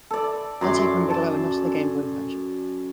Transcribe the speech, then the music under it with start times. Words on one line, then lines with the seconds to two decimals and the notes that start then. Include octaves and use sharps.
Undertaker and Bigelow are not in the Game Boy version.
0.11 A4 D5
0.61 F#2 C6 D6
1.10 A5